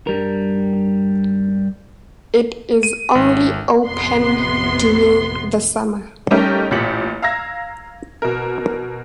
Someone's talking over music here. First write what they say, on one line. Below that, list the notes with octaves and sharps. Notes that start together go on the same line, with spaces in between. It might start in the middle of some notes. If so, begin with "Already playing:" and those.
It is only open during the summer.
G2 G3 A#4
D#7
G#1
A1 F2 C3 B3 C6
G3 A3 C#4 D#4 G4 A#4
A1 A#2 G4 B6 C#7 F#7
F5 A#5 E6 G#6 A#6
B2 A#4